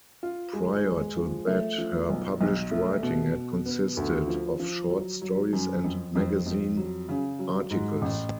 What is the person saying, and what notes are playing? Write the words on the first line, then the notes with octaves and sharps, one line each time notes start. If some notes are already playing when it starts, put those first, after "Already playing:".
Prior to that her published writing had consisted of short stories and magazine articles.
F4
G#3
G#3
F3
A3
F3
B1
B1
A3
B2
B2
B3
D2
F3
F3
F#3
F#3
F#2
F2
F2
F2
F#3
C#3
F#3
G#2
A1